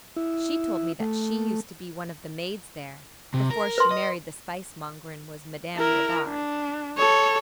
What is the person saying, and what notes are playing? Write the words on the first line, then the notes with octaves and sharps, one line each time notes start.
She told me that she used to be one of the maids there, before she married the spice-monger and was Madame Robard.
E4
A3
C3
A#4
B4 C6
D#5
E4 A#4
D4
A4 C#5